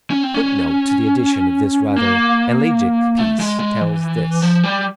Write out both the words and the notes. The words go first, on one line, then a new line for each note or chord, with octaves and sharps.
A footnote to the edition of this rather elegiac piece tells this.
C#4
C4
C#4
A#3
A3
G#3
G#3
E3
F3
G3